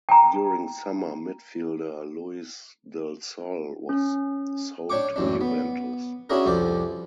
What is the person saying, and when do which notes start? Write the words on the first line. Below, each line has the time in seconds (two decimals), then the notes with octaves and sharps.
During summer midfielder Luis Del Sol was sold to Juventus.
0.09 G5 A#5
3.89 C#4
4.90 D4 C#5 G5 C#6 D6
5.16 A1 F#2 D4
5.41 B3
6.30 C#4 D4 E4 F#4 G#4 A#4
6.46 C2 F2 C5 D5